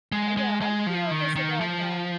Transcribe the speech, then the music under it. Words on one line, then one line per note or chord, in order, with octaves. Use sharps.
Uh, yeah, I'm curious about that.
G#3
G#3
G#3
F3
D#3
D#3
F3